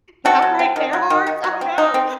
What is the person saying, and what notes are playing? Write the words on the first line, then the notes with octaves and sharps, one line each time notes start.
"Did I break their hearts? Oh, no."
C4 F#4 A4
F#3
C4
D#3
F#3
D#3
D#3
F#3
C4
D#4
C4